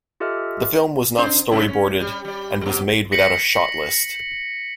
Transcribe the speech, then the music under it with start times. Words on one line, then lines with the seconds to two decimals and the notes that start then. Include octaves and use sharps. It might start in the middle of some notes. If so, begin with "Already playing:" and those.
The film was not storyboarded and was made without a shot list.
0.20 F4 G4 A4 D#5 E5 F6
1.18 C3 D4 C5
1.51 F#2 C#3 E4
1.68 C#4
2.00 G3
2.25 G3 D5
2.61 A#2 F#3
3.12 A#6 B6 C#7 F#7